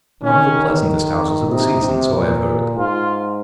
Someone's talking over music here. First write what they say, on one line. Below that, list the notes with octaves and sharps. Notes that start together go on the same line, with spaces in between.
One of the pleasantest houses of the season, so I have heard.
D#3 C#4
C3 D#4
C3
A#2
G#2 F4